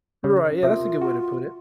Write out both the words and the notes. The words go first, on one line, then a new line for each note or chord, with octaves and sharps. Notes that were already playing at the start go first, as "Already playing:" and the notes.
Right, yeah. That's a good way to put it.
C#3 C#5
C3 F4 A4 A#4 E5
F#4